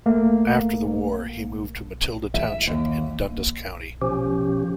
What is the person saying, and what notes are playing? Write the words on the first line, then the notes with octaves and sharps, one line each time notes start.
After the war, he moved to Matilda Township in Dundas County.
A3 A#3
E5
D#2
B2 F3 C#4 G4